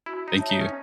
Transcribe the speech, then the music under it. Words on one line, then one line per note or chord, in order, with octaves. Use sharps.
Thank you.
E4 F#4
D#4
C#5 E5 A5
D#4
C#4